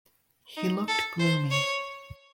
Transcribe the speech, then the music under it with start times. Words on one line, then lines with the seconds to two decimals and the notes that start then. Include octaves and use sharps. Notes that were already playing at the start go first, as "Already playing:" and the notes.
He looked gloomy.
0.57 D#4
0.88 A4
1.20 C5
1.51 C#5